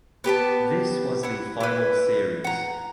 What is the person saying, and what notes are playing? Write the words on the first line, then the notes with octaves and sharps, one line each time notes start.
This was the final series.
B3 G4 B4 A5
E4 F#5
E4 B4
F#5 A#5